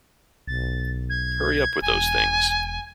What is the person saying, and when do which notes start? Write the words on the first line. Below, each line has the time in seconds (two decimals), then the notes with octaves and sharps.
Hurry up with those things.
0.48 B1 A6
1.10 G#6
1.82 E1 G#5